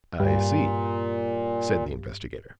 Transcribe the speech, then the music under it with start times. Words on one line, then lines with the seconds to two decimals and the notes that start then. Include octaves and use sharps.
"I see," said the investigator.
0.20 G2 A#2